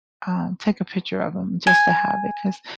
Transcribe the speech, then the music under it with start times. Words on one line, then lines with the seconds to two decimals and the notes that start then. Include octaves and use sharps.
um, take a picture of 'em just to have it 'cause
1.67 G#5